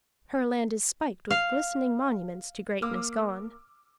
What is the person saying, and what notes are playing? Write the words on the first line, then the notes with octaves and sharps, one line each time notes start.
Her land is spiked with glistening monuments to greatness gone.
F5
A#3 D6 E6 F6